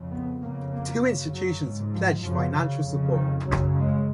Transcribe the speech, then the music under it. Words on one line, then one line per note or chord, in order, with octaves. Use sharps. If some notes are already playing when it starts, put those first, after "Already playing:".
Two institutions have pledged financial support.
Already playing: F2 C#3
B3
F2 C#3 A#3
A#3
F#2 C#3
F#3
G#2
F3
F#2 C#3 F3
C#3
F2 C#3
D#3
F#2 C#3 F#3
G#3